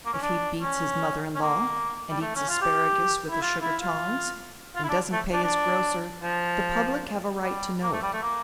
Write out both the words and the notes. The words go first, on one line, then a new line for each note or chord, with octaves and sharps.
If he beats his mother-in-law, and eats asparagus with the sugar-tongs, and doesn't pay his grocer, the public have a right to know it.
A#3
C#4
D4
C#4
C#4
A#3
G3
A3
C#4
F4
G4
E4
F4
E4
F4
F4
E4
D4
A3
D4
D4
F3
G3
A#3
A3
G3
A3
A#3